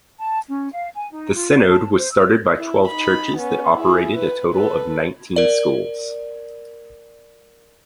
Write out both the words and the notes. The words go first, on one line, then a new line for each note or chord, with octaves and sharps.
The synod was started by twelve churches that operated a total of nineteen schools.
A5
C#4
F5
G#5
D#4
F4
D5
A5
C5
E6
E4
D#4 B5
B3 C#4
E4 G#4
B4
A4 B4
A#4 D5